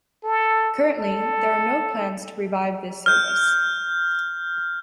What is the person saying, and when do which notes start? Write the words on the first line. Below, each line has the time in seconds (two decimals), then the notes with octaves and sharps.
Currently, there are no plans to revive this service.
0.24 A4
0.95 A4
3.06 F6 G6